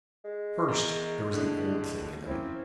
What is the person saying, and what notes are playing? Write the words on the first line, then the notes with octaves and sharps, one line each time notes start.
First there was the old thing in him.
G#3
E2 A#4 D7
A2 D3 D4
A#3 C4 C#4 E4